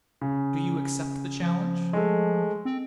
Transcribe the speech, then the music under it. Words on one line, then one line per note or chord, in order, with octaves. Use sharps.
Do you accept the challenge?
C#3
F3
G#3 A3
C4